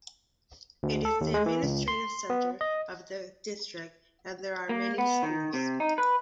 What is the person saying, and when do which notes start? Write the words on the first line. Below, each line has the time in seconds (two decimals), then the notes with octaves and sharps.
It is the administrative centre of the district and there are many schools.
0.83 D2
1.05 A4
1.21 D#2
1.34 G#3
1.46 E3
1.63 C#2
1.88 C6
2.30 B3
2.61 D#5
4.69 A#3
4.98 B3
5.23 D#3
5.53 C3
5.80 D#4
5.98 B4